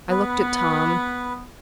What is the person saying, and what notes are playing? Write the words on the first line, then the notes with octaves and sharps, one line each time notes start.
I looked at Tom.
B3 B4